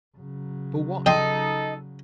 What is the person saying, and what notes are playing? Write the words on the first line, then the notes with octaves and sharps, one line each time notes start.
For what?
C#3 F#3
D#4 A4 G5 C6